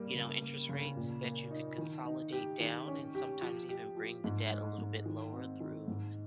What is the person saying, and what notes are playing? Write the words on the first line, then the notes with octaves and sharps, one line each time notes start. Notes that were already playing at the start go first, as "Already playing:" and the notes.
you know, interest rates that you could consolidate down and sometimes even bring the debt a little bit lower through,
Already playing: G3 A#3
C#3
A#3
C#3
A#2
A#3
D#4
D#3
D#4
G4
D#3
C#4
G4
F3
G4
F3
G#2
G#3
G#2
D#3
C4
D#3
G#2